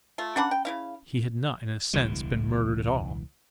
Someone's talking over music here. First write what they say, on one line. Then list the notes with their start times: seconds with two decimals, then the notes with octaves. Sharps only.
He had not, in a sense, been murdered at all.
0.18 A3 F4
0.36 A#3 C#4 D4 F#5 A5 B5
0.51 G5
0.65 C#3 E4 F5
1.93 E1 C#2 E3 G3